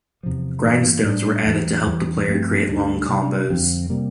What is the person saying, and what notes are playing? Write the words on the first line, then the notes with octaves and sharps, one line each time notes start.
Grindstones were added to help the player create long combos.
E2 C3 F3
G2 E3 A#3
A2 G3 D4
E2 E3 G3
E2 E3 G3
G2 F3 A3 C4
D2 D3 G3 D4
C3 G3 A#3 D4
F2 D3 F3 C4
C3 G3 A#3